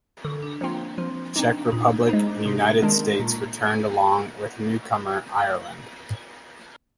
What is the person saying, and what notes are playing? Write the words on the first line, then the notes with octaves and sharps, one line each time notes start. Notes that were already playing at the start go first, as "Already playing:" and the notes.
Czech Republic and United States returned along with newcomer Ireland.
D3
D4
F3 A#3 C4 F4
F3 C4
C4 D4 D#4
A#2 D#4
G#3 D#4 C5
D4
C3 D#4
A#3
D#3 G#3 C4 D4
A#2 A#3